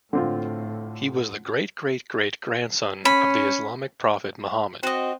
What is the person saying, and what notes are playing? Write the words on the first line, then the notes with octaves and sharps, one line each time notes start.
He was the great-great-great grandson of the Islamic Prophet Mohammed.
A2 D3 C4 F4
C#4 B5
C4 F#4 D#5